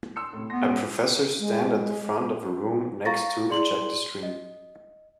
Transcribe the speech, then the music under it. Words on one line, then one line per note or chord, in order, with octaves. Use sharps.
A professor stand at the front of a room next to a projector screen.
C6 E6 C#7
A2 C3
B3 C6 A#6
G#2 C#4 F#4
G#3
F5 A#5 C#6 A6 A#6
E4 G#4 D5 C6 F#7
D#5